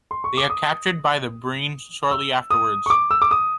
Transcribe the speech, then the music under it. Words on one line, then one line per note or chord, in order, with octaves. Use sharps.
They are captured by the Breen shortly afterwards.
C6
C#6
D6
D#6
E6
D#6
C#6
D6
E6
D6
D#6